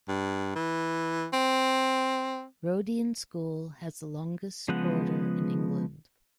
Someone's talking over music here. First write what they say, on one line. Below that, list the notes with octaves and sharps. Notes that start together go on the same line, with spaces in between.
Roedean school has the longest corridor in England.
G2
E3
C4
C#3 F3 G#3 B3 F#5